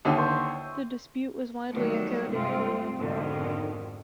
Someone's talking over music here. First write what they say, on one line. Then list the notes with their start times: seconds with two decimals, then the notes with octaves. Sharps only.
The dispute was widely echoed in Italy and Europe.
0.05 D#2 D3 D#5 E5 G5
0.17 C5 C#5
1.70 D#3 F#3 G3 A3 B3
2.30 G2 C3 G#3 C4 F4
2.97 F2 G#2 B2 D3 D#3